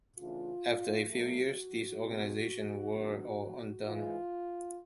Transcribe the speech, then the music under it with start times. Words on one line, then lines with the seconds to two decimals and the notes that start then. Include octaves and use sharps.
After a few years, these organizations were all undone.
0.19 C#3 E3 A3 D4 F4
1.10 A#2 F#3 A3 F#4
2.01 B2 G#3 C4
2.93 D#2 D3 F#3 B3 D4
3.85 G#2 E3 G#3 F4